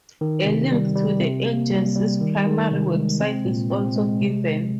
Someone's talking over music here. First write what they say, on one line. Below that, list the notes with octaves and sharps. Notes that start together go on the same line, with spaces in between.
A link to the Agency's primary website is also given.
D#3
C3
G3
G3
C3
A#3
G3
G3
D#3
D#3
C3
G#3
C4
A#2
C4
G#3
C3